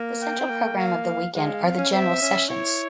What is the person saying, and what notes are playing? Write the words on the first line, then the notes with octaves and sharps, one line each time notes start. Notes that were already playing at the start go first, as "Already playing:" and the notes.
The central program of the weekend are the general sessions.
Already playing: A#3
G5
C4
A#3
F5
G#3 F5
C4
C#4
C4 E5
C#4
E4 C#5